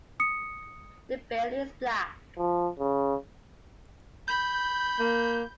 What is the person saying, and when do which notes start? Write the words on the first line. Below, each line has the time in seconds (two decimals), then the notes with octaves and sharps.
The bill is black.
0.20 D#6 C#7
2.38 F3
2.79 C#3
4.28 B5 G6
4.99 A#3